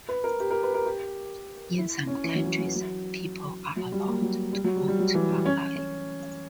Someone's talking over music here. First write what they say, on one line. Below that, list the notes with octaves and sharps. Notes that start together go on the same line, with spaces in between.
In some countries people are allowed to vote online.
B4
A#4
G4
A#4
B4
A#4
G4
E4
C#4
E3
F#3
E3
F#3
E3
F#3
F#3
G3
A#3
F#3
G3
F#3
G3
G3
F#3
E3
G3
C#4
C#4